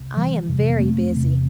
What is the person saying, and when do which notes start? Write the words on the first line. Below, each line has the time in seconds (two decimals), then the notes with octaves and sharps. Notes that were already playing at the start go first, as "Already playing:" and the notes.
I am very busy.'
Already playing: C2
0.17 E3 G3
0.48 F2 C3
0.70 A#3
0.80 A3 C4
1.11 E2
1.16 C3